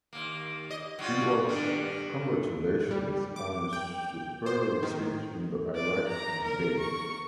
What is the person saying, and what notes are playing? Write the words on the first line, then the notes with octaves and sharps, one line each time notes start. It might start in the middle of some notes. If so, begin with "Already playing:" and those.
He wrote, Congratulations on your superb speech in the Iraq debate.
D#2 A#3
D#5
F#3 G3 F4
G2 D#3 D4
G3
D6
G5
C5
D#3
D5
A#5
A#4
C#6